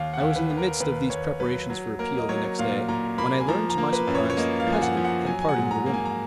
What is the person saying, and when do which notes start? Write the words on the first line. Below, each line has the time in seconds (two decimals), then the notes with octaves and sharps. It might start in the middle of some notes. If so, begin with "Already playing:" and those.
I was in the midst of these preparations for appeal the next day when I learned to my surprise that the President had pardoned the women.
Already playing: D#2 F5
0.14 F#5
0.21 D#2
0.36 B4
0.50 D#2
0.57 A#4
0.80 D#2 B4
1.10 D#2 C#5
1.40 F#3 B4
1.70 F#3
1.99 A#3 A#4
2.18 D#5
2.29 F#3 C#5
2.59 A#2 F5
2.88 A#2 A#5
3.18 A#3 B5
3.41 G#5
3.48 F3 A#5
3.70 A#5
3.78 A#3
3.93 B4
4.07 F#2
4.15 C#5
4.30 C#5
4.37 A#3 D#5
4.60 F5
4.67 F3
4.72 G#5
4.82 F#5
4.97 F3
5.04 F#5
5.26 F#3 G#5
5.41 G#5
5.49 F#5
5.56 G#2
5.71 A#5
5.86 A#3
5.94 G#5
6.05 A#5